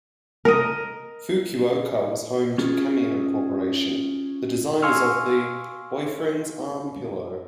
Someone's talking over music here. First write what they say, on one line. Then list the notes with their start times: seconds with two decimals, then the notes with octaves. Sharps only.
Fukuoka was home to Kameo Corporation, the designers of the "Boyfriend's Arm Pillow".
0.45 A#4 D#5
2.58 C#4 F4 G#4
4.83 F5 G#5 C6 C#6 E6 F6